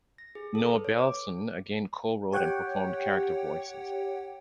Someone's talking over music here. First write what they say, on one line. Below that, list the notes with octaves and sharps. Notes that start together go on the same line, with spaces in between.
Noah Belson again co-wrote and performed character voices.
A#6
G#4
A4
B4
C#5
D6
G4 C#5 F#5 G5